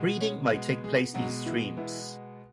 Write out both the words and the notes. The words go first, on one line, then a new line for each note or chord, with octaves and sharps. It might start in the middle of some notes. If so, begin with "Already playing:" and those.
Breeding might take place in streams.
Already playing: B2 G#3 B3
C#4 C#5
B2 G#3 B3
G#3 G#4
B2 F#3 G#3 B3 F#4
E3 E4
B2 E3 G#3 B3 E4